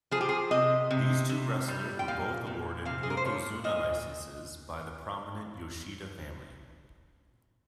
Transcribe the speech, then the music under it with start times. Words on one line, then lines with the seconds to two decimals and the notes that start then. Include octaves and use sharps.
These two wrestlers were both awarded "yokozuna" licences by the prominent Yoshida family.
0.11 F3 G#4
0.21 G4
0.29 G#4
0.51 C3 D#5
0.91 C3
1.29 C3
1.68 G3
1.99 G5
2.08 A#2 F5
2.47 A#2
2.85 C3 F5
3.03 G#4
3.10 A#4
3.17 C5
3.25 F3 C#5
3.64 A#2 D#5